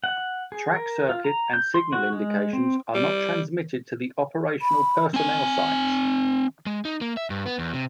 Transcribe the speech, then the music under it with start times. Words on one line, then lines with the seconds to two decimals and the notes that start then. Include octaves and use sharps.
Track circuit and signal indications are not transmitted to the operational personnel sites.
0.04 F#5
0.52 G#4
0.75 A#4
1.09 F4
1.24 A#5
1.54 G6
1.74 C6
1.93 F#4
2.13 G#3
2.53 C4
2.95 G3
4.62 B5
5.14 C4 G#5
6.66 G#3
6.85 D#4
7.01 A#3
7.17 E5
7.30 G2
7.46 B3
7.59 E2
7.74 C3